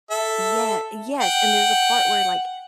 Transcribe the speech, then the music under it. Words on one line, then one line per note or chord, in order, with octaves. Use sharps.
Yeah, yes, and there's a part where, like,
A4 E5
F#5 G5